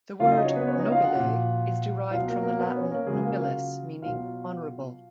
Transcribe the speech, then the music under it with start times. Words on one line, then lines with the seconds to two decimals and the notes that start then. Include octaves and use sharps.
The word "nobile" is derived from the Latin "nobilis", meaning "honourable".
0.19 C#3 F#3 F4 F5
0.32 D#4 D#5
0.44 C#4 C#5
0.56 B3 B4
0.67 C#4 C#5
0.79 D#4 D#5
0.92 F4 F5
1.04 F#4 F#5
1.15 A#2 F3
2.11 B2 F#3 F4 F5
2.27 A#3 A#4
2.43 A#3 A#4
2.59 B3 B4
2.76 C#4 C#5
2.91 A#3 A#4
3.06 C#3 F#3 G#3 G#4
3.23 A#3 A#4
3.39 F4 F5
4.02 B2 F#3 F4 F5